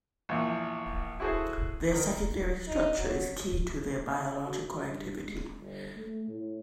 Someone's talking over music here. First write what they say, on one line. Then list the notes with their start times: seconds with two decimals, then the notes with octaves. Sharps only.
Their secondary structure is key to their biological activity.
0.29 A#1 E2
1.20 E4 F#4 G#4 A4 C5
1.91 D#3 A#4
2.67 D#4
2.97 F#3
4.46 F#4
4.86 G2
5.26 G#3
5.60 G1
5.97 A3
6.28 A2